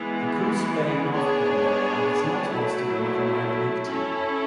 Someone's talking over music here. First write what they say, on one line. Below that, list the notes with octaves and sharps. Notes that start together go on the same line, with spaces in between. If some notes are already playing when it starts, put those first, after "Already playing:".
The Coos Bay–North Bend area has not hosted another minor league team.
Already playing: E3 G#3 B3
B3 D4 G#4 C#5
F#3 A3 E4
C#4 E4 A4